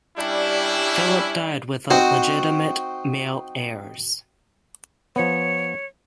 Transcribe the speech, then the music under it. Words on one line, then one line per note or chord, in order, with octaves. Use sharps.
Philip died without legitimate male heirs.
G3 C#4 D4 E4
C4 D#4 F#4 C5
F3 B3 C#5